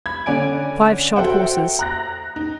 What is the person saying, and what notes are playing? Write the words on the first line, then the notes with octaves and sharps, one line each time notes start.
Five shod horses.
B5 G#6
D3 C#4 D5 G#5 D7
F#4 A4 C5 E5 F#5 G5
A#5 F#6 A#6
D#4